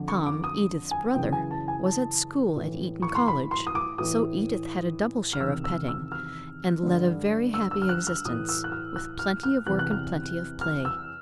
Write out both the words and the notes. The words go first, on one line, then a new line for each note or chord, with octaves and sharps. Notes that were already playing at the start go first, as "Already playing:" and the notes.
Tom, Edith's brother, was at school at Eton College, so Edith had a double share of petting, and led a very happy existence with plenty of work and plenty of play.
Already playing: F2 D3
C#6
D6
D#6
G#5
F#2 C#3 E3 G5
G#5
A5
G#5
A5
A2 E3
C#6
C6
B5
C6
D#6
D6
A2 E3 D#6
F6
E2 C3 D#3 E6
E6
E6
F6
G2 D3
E6
E6
F6
F#6
F6
A2 E3 D#6
E6
F#6
F6
F#6
F6
F6
E2 C3 E3 F#6
F#6
F6
F6
E6